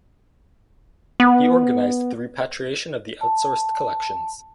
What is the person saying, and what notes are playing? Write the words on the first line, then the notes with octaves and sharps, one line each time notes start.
He organized the repatriation of the outsourced collections.
B3
A5